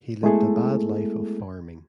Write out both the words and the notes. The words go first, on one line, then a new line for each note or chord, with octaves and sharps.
He lived a bad life of farming.
G#3 A3 B3 E4 G#4 A4